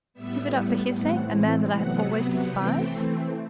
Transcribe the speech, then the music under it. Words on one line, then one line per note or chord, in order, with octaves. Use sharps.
"Give it up for his sake,--a man that I have always despised?"
A2 G3 B3 E5
A2 E3 A3 C4 F#5
C3 F#3 B3 F#5
E3 A3 C4 G5